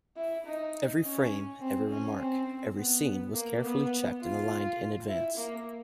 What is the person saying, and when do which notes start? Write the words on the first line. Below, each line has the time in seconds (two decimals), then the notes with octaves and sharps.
Every frame, every remark, every scene was carefully checked and aligned in advance.
0.17 E4
0.45 D#4
1.03 C#4
1.61 C4
1.89 C#4
2.19 C4
2.77 B3
3.35 A#3
3.64 B3
4.22 F4
5.08 E4
5.37 A#3